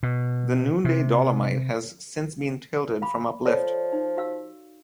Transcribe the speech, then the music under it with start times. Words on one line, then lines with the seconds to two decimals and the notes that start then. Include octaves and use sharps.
The Noonday Dolomite has since been tilted from uplift.
0.03 B2
0.85 C3
3.02 F5 B5 D6
3.46 F3 A4 C#5 D5
3.93 D#4
4.17 F#4 F5 E6